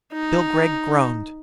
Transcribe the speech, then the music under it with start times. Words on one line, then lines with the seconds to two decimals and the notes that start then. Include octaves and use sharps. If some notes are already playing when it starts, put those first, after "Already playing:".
Bill Gregg groaned.
0.13 D#4